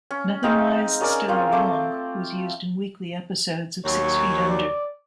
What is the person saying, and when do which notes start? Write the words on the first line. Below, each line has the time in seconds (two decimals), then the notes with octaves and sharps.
"Nothing Lies Still Long" was used in weekly episodes of "Six Feet Under".
0.11 C#4
0.43 C4 D#4 G#4 F5
1.00 C#4 G#4 A#4 D5
1.28 A#3 C4 F4 C#5
1.52 A3 C4 D6
3.85 D#2 F#3 C#5
4.49 D5